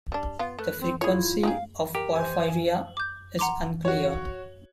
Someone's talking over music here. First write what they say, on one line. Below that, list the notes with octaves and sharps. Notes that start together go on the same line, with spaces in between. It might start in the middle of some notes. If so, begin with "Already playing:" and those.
The frequency of porphyria is unclear.
G3 D4
B3 F4
A3 B4
C4
E4 F4 G#4 C#5
D#4 G4 G#4 F5
G4 A#4
C5 G#5
D6 G6
F#5 A#5 C6 D6
F#4 C#5